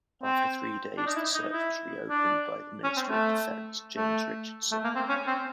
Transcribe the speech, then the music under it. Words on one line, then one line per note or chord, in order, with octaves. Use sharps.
After three days the search was reopened by the Minister of Defence, James Richardson.
C4
D4
D#4
E4
D#4
E4
D4
C#4
C4
A3
A3
A3
A#3
C4
C#4
C4